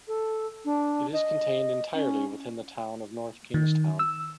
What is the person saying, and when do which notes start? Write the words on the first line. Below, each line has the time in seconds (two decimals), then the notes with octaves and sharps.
It is contained entirely within the town of North Kingstown.
0.08 A4
0.65 D4
1.13 D#5
1.94 C#4
3.54 D#3
3.99 E6